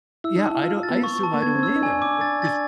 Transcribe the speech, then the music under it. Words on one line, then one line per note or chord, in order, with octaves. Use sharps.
Yeah, I don't I assume I don't either. It 'cause
E4 E6
D#4
A5
E4
F4 E6
F4
A6
B3
C#6
A5
A#3
B3 G#6
C4
E6
C#4
D#4
D4 G#5
D6
A6
A6